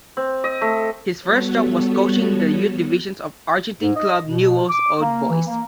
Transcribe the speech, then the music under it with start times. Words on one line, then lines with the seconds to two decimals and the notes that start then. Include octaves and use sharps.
His first job was coaching the youth divisions of Argentine club Newell's Old Boys.
0.17 C4
0.44 D#5
0.61 A3
1.21 G3 B3 F#4 A4 C#5
3.81 G#2
3.95 D#5
4.27 B2
4.69 D6
5.00 A#3
5.31 E3
5.46 A#3